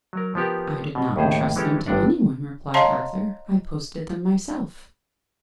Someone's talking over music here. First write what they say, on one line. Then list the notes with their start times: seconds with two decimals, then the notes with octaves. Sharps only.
"I did not intrust them to any one," replied Arthur; "I posted them myself."
0.13 F#3 A#4
0.35 F3 B3 G4 A#4
0.95 B2
1.16 D#2 A2 G#4 C5
1.56 E3 G#3 C#4 G4 A4
1.86 G1 G2 D4 F#5
2.74 C#5 D#5 F5 A5 A#5 C6